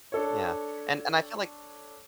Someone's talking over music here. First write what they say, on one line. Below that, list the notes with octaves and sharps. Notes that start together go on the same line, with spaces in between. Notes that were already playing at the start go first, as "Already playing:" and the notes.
yeah, and and I feel like
D4 A4 C#5